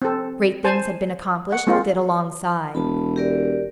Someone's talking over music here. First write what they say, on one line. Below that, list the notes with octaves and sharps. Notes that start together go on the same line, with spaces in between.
Great things had been accomplished, with it alongside.
C4 A4
C5 G#5 A5
F#5
G#3 A#3 C4 F4
E1 A5 B5
G4 A#4 D5